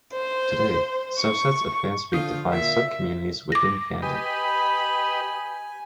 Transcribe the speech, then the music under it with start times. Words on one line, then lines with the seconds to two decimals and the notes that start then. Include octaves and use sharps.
Today, subsets of fanspeak define subcommunities within fandom.
0.13 C5
1.19 C#6
2.12 D3 F3 F4 D#6 G6
2.52 A#2 E5
3.52 D6 A#6
4.02 G4 B4 D#5 G#5 B5